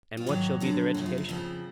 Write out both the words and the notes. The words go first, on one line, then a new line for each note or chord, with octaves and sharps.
And what shall be their education?
F4
G#2 D#3 F#3 F#4
F2 D3 F#3
F#2 C#3 F3 F#4
F4
E4
F2 C#3 F3 E4